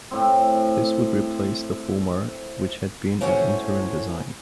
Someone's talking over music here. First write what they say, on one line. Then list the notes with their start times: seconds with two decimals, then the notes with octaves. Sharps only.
This would replace the Fulmar which had been an interim design.
0.11 A2 C4
3.21 A2 C#4 F#4 C5 C#5 G#5